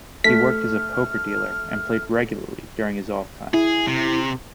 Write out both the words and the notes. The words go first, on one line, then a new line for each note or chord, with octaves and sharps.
He worked as a poker dealer and played regularly during his off time.
A3 F6 B6
E4 G#4
C3